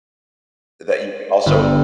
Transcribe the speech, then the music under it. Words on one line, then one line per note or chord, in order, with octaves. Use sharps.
that you can also
G1